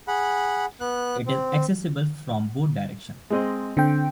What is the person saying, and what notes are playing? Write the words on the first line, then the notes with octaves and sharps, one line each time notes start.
It is accessible from both directions.
G#4 F#5 B5
B3 F#6
C4
G#3 C4 D#5
D3 C4 G5